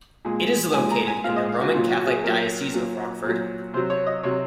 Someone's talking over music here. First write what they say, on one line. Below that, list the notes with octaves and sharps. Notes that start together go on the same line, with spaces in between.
It is located in the Roman Catholic Diocese of Rockford.
A#2 G#3
A#2 G#3 G#5
A#5
G#5
A#2 G#3 F5
D#5
F5
F#4
A#2 F#3 F4
F#4
F#4
G#4
A#2 F#3 A#4
A#2 F#3
A#2 F#3
C3 F#3 C5
C#5
D#5
C3 F#3 C#5